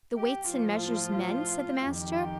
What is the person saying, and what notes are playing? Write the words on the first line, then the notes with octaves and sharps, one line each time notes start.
The weights and measures men! said the Master.
G4
A2 F3 F4
F2 D#3 G4